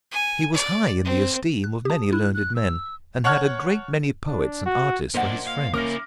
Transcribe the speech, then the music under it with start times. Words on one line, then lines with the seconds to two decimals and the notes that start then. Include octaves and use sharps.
He was high in the esteem of many learned men and had a great many poets and artists for his friends.
0.11 G#5
0.54 D5
1.04 C4
1.64 F#6
1.85 G4 A5 D#6
2.13 E4 F#6
2.34 F#6
2.55 E6
3.24 C#5 F#5 A5 C#6 F6 G#6
4.27 D4
4.66 F#4
5.14 F#2 A#2 D4 C5 D#5 F#5
5.47 F5
5.74 A#3 C#4 E4 A#4 D6 F6 A#6